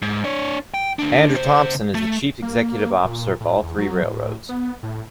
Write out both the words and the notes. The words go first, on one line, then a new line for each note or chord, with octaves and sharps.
Andrew Thompson is the chief executive officer of all three railroads.
G#2
D4 C#5
G5
D2 D4
C#3 C5
A3
A#3
A#2
A2
E2
F#3
A2
B3
A2